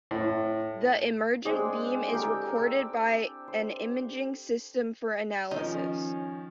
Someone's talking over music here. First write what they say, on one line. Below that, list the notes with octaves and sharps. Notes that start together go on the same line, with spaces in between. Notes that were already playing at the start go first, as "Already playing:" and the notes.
The emergent beam is recorded by an imaging system for analysis.
A2
G#3 C4 D4 G#4
G4 A4 A#4 G5
A4 E6
C5
D#3 F3 C#4 D#4